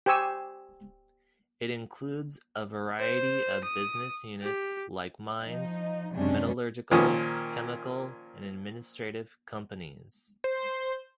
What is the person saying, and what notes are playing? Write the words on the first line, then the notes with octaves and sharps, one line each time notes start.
It includes a variety of business units like mines, metallurgical, chemical and administrative companies.
G4 C5 G#5 C#6 E6
C5
D#6
G4
F3 D#4
F#2 C3 F#3 G#3 C#4 D4
A#2 D#3 F3 C#4 D#6
C5